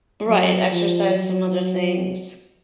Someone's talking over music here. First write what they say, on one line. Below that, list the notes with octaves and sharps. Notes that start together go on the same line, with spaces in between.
Right, exercise some other things.
F#3
F3
F#3